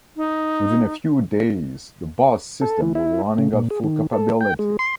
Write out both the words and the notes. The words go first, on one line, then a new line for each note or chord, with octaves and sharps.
Within a few days, the bus system was running at full capability.
D#4
A4
E3
E4
C#3
A#2
G#4
D#3
A4
G5
G#3
C6